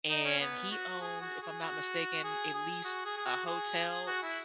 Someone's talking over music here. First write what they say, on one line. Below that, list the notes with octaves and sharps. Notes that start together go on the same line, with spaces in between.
and he owned, if I'm not mistaken, at least a hotel
D#4
C#4
B3
F#4
G#4
F#4
G#4
F#4
G#4
G#4
F#4
G#4
G#4
F#4
G#4
F#4
E4